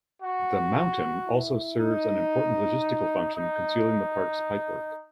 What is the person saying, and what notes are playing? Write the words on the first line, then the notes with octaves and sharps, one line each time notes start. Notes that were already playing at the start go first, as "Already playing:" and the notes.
The "mountain" also serves an important logistical function, concealing the park's pipework.
F#4
E4
D#4
D#4